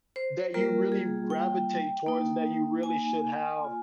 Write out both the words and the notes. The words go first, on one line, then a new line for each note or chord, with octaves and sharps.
that you really gravitate towards, that you really should have
C5
G3 A#3 F4 A#4
G#4
G5
A#3 D#4
G#5
A#3 F4